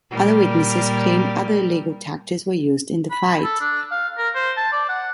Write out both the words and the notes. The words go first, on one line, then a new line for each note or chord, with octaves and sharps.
Other witnesses claimed other illegal tactics were used in the fight.
A#2 G3 A#4
B5
A4
D4
F5
A#4
C5
A5
D5
F#5